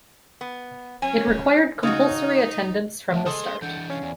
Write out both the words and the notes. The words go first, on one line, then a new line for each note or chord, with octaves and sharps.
It required compulsory attendance from the start.
B3
F#3 C#4 G#5
C#3 D#4 F#4
E2 A3 E5 F#5 A5
G#4 A4 D#5 A5 C6 D#6
E3 D4 F#5 G6
C#4 F5
E2 D5 G#5